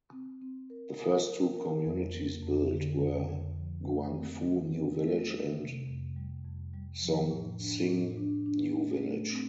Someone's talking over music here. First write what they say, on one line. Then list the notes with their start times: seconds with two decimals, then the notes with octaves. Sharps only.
The first two communities built were Guangfu New Village and Zhongxing New Village.
0.13 C4
0.42 C4
0.70 A#4
0.99 A#4
1.28 A#4
1.56 A#4
1.85 F2
2.14 A#3
2.42 F2
2.71 D3
3.00 F2
3.29 F2
3.57 F3
3.86 A3
4.15 C4
4.44 C4
4.73 C4
5.01 A3
5.30 G3
5.59 C3
5.87 F2
6.16 G3
6.45 F2
6.74 G3
7.02 F3
7.31 A2
7.60 D4
7.88 A2
8.17 D4
8.46 D4
8.74 A3
9.03 A3
9.32 C4